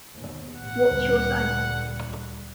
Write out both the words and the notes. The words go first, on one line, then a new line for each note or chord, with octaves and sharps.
What's your sign?
D#2 B2
A1 F#5
D2 A#2 D3 G3